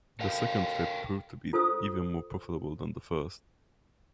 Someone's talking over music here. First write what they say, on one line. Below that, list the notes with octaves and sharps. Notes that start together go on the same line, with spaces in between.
The second trip proved to be even more profitable than the first.
A4 A#4 F5 G5
F4 A4 C5 D#6 E6